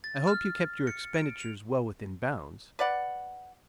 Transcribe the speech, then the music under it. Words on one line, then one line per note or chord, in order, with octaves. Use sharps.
"I hope you kept your expenditures well within bounds?"
A6
F6
C#7
D7
F7
B4 D5 F#5